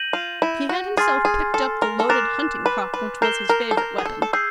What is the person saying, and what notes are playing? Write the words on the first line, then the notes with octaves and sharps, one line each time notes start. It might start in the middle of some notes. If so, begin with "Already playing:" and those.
He had himself picked up the loaded hunting-crop, which was his favourite weapon.
Already playing: G6 A#6 D#7 F#7
F4
E4
F#4
G#4 G#5 C6 F6 A6 C7
G#4
A4
A#4
A4
A#4 D6 F#6 A6 C7 E7
B4
B4
A#4 G6 C7 E7 G7
A#4
A4
A#4
G#4
A4
A4
G#4 E6 G6 C7